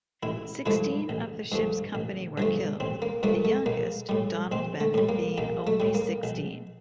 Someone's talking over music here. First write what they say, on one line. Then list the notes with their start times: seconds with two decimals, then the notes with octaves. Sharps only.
Sixteen of the ship's company were killed, the youngest, Donald Bennett, being only sixteen.
0.23 A1 E4
0.66 G2 F3 A3 E4
1.09 A1
1.52 G2 F3 A3
1.95 A1
2.38 G2 F3 A3
2.80 A1 C4
3.02 A#3
3.23 G2 F3 A3 A#3
3.45 A3
3.66 A#1 A#3
4.09 A2 G3
4.52 A#1 C4
4.80 A3
4.94 A2 G3
5.09 A#3
5.38 A#1 A#3
5.67 A3
5.80 A2 G3
5.95 A#3
6.23 A#1